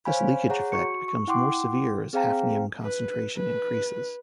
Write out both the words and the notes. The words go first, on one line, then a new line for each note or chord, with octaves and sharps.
This leakage effect becomes more severe as hafnium concentration increases.
C5 C#5 F5 G#5 B5
G#4 C#5 F#5 A#5
F#4 C#6 C#7
C#6
E4 F#5 G5 C6 D6
C4 G#4 C5 F5 G5 A#5
B4
B4